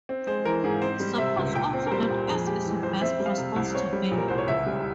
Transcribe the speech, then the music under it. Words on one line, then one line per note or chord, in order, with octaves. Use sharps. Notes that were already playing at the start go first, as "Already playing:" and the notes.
Suppose also that S is a best response to B.
C4
G#3 C5
E3 A#4
G#2 G#4
C4 C5
G3
C3 E5
C#2
A#2 G5
C4
A#4
G3 C5
A#2
F2 G#4
G#3 G4
E3
F2 C5
C4 E5
G3
F5
C3
C2
C4 C#5
G3
A#2
A#4
C2 C5
C#5
C#2 E5
G3